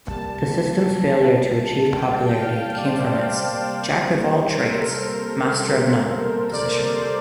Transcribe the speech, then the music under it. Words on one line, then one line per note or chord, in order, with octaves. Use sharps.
The system's failure to achieve popularity came from its "jack-of-all-trades, master-of-none" position.
C3 G3 A#3 A5
G5
F5
G5
G5
F5
D5
C5
C3 G3 A#3
A4
A#4
D5
C5
A#4
C5